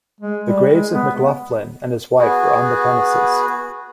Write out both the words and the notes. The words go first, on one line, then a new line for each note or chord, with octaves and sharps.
The graves of McLoughlin and his wife are on the premises.
G#3
G3
G#3
B3
B3 F#4 G#4